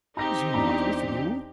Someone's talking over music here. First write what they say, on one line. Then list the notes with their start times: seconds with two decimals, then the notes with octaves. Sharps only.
"Is he not with you?"
0.17 C4 D#4 G4 A#5 A#6
0.54 E2 D4 A#5